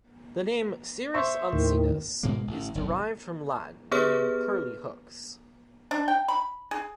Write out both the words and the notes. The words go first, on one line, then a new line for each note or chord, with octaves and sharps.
The name "cirrus uncinus" is derived from Latin, meaning "curly hooks".
C5 E5 C#6
D#2 A2 D#3
G#2 B2 G#3 A#3
A1
F#1 B1
B3 G4 G#4 B4 C#5 F6
D4
G5
B5
G#4